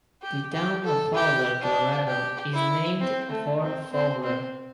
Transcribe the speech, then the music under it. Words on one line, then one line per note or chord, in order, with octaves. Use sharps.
The town of Fowler, Colorado is named for Fowler.
G4
G4
A4
G4
D4
G4
E4
C4
A3
C4
C4
C4